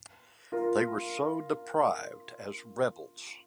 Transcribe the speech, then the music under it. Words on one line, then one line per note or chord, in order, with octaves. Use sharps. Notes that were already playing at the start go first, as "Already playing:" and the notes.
They were so deprived as "rebels".
F4 A#4